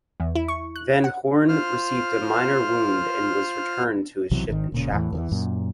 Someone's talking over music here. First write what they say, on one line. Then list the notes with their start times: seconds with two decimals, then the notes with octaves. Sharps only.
Van Hoorn received a minor wound and was returned to his ship in shackles.
0.20 E2
0.35 E4
0.48 C#6
0.76 F#6
1.04 F#5
1.49 F4 C5 F6
4.31 B1 C3 E3 F#3
4.49 G#1 C3 D#3
4.72 E1 A#2 C#3
4.92 E2 A2 E3
5.12 E2 D#3 E3
5.32 F#2 A#2